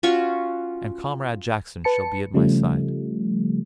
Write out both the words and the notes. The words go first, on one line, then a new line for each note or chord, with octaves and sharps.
And Comrade Jackson shall be at my side.'
C#4 F4 F#4 C#6
B4 A5 C#7
C#3 F3 G3 A3